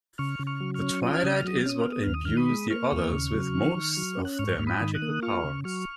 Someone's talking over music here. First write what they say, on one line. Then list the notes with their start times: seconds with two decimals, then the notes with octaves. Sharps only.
The Twilight is what imbues the Others with most of their magical powers.
0.18 C#3 C#6 F6
0.39 C#3
0.47 C#6 F6
0.60 F#3
0.74 C#6 F6
0.82 C#4
1.02 F4 D#6
1.14 F6
1.23 C#3 D#6
1.36 F6
1.44 F#3 D#6
1.59 F6
1.66 C#4 D#6
1.81 F6
1.87 B3 D#6
2.04 D#2 F6
2.14 D#6
2.25 D#3 F6
2.37 B5 D#6
2.49 G#3
2.70 A#3 C#6 F6
2.92 D#2
3.13 C#3
3.34 F#3
3.55 D#3
3.76 D#3
3.97 F#3
4.17 C#4
4.25 F#6
4.39 G#2 C#6 F6
4.59 G#2
4.67 B5 D#6
4.81 D#3
4.95 D#6 F#6
5.02 A#3
5.23 F4 C#6 F6
5.44 C#3
5.64 F#3 C#6 F6